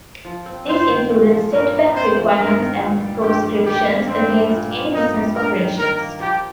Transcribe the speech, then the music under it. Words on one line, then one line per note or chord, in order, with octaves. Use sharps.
These included setback requirements and proscriptions against any business operations.
F3
C4
G2 C5
D#3
A#2
F3
G2 A#4
G3
C3 C5
F3
G2 A#4
D#3
A#2
G3
G2 G4
G3
D#3 G4
A#3
G2 C4
G3
A#2
A#3
G2 D#4
G3
G2 A#4
D#3
D#3 A#4
A#3
F3 G4